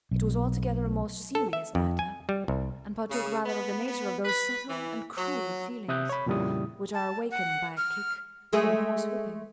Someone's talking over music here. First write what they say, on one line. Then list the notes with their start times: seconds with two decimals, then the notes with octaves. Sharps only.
It was altogether a more serious matter, and partook rather of the nature of those subtle and cruel feelings which are awakened by a kick or a horse-whipping.
0.11 B1
1.35 A4
1.53 E5
1.75 F2
1.99 G#5
2.29 G3
2.48 C2
3.11 C#3
3.46 B3
3.86 B3
4.25 B4
4.70 E3
5.17 F#3
5.88 C3 E5 D#6 F#6 G6
6.09 C#5 B5
6.26 F2 A#2 C#3 G3 E4 D#6
6.94 A5
7.31 F#5
7.77 F6
8.53 G#3 A3 G#4